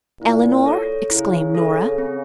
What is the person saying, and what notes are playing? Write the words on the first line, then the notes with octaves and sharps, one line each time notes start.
"Eleanor?" exclaimed Nora.
A#2 E4
A4 C#5
C#3 E4
A4 C#5
C4